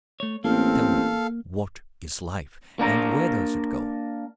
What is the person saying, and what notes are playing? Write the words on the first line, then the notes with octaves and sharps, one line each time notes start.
Tell me, what is life, and where does it go?
A3 C#5
A1 A#3 C4 A4 F5
A#3 D4 A#4